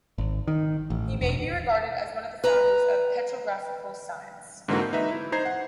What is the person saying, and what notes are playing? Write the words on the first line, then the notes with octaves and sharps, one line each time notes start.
He may be regarded as one of the founders of petrographical science.
G#1
D#3
A1
E1
B4 A#5
G#2 D3 E3 A#3 C4 F#4
G6
D#4 B4 E5
E4
D#4 C5 A#5 G#6 C7
F#5